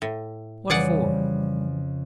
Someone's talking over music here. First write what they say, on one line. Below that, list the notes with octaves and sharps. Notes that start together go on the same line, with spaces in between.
"What for?"
A2
F2 C#3 E3 G3 G#4 D5 F#5